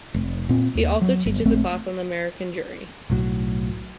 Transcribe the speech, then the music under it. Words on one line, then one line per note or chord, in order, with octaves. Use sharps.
He also teaches a class on the American Jury.
F1
A#2 C4
D#2
F#3
G1
A#1 A3 C4
B1 A2 F#3